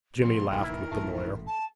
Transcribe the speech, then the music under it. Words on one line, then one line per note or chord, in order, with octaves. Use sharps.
Jimmy laughed with the lawyer.
B2 D3 F3 A#3 C4 C6
F1 A#1 E2 D#3 E3 G#3 A#4
E4
A1 G#2 B2 A3
A5